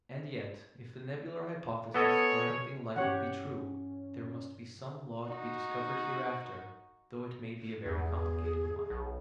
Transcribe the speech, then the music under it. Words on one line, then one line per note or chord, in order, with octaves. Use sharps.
And yet, if the nebular hypothesis or anything like it be true, there must be some law to be discovered hereafter, though it may be a very complicated one.
B3 C#4 A4 C#5 D#5
G2 E3 C#4 G4 C#5 F#5
D#4 F#4
E2 G#4
B1